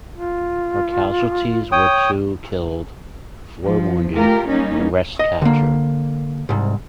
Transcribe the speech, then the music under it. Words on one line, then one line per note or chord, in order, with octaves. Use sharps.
Her casualties were two killed, four wounded, and the rest captured.
F4
C#5 G5 D#6
F3
A3 F4 G4 A#4
G3 A#3 C#4 D#4
D#5
D3 A#3
C2 G#2